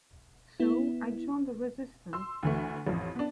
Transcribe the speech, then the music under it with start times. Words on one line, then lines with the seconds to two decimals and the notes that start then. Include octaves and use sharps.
So, I joined the Resistance.
0.60 B3 E4
2.13 C6 E6
2.43 D2 E3 A3
2.87 A1 F2
3.15 B3 D4